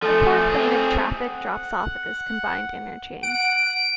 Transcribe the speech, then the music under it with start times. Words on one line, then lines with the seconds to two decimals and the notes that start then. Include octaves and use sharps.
The fourth lane of traffic drops off at this combined interchange.
0.02 F3 A3 A4 G#5
0.50 C4 G#4
1.27 F#5
3.23 F#5 D7